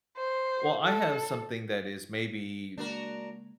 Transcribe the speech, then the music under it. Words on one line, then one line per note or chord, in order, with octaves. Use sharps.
Well, I have something that is maybe,
C5
A4
C#3 G#3 A#3 D4 F#4 A#4